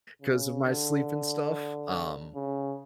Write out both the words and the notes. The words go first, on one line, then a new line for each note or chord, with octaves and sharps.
'cause of my sleep and stuff, um
C#3
D3
C#3